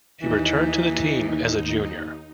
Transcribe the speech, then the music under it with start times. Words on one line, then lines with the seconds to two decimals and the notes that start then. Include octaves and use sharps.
He returned to the team as a junior.
0.22 D#2 E3 D#4